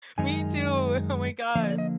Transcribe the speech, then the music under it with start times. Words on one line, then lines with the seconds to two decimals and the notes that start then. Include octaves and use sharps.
Me too, oh my gosh.
0.18 F#2 D#3 G#3 D#4 G#5
1.55 D3 F3 A#3 F5
1.63 D#5
1.70 D5
1.78 D#5